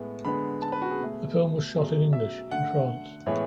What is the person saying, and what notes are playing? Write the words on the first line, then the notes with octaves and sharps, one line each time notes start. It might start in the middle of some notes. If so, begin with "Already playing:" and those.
The film was shot in English in France.
Already playing: A2 G#3 B3
D3 G#3 B3 B5
A5
B4
F#4
G#4
B2 A3
B2 F#3 A3 G#4
E5
D3 A3 F#5
A2 E3 G#3 B3 C#5